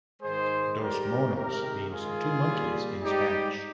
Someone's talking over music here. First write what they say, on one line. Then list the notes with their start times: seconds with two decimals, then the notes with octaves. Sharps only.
Dos Monos means "two monkeys" in Spanish.
0.22 G#2 D#3 G#3 G#4 C5
0.78 G#2 G3 G4 A#4
1.34 C3 D#3 G#3 G4 A#4
1.90 G#2 D#3 G#3 F4 G#4
2.45 A#2 G3
3.01 G#2 G3 D#4 G4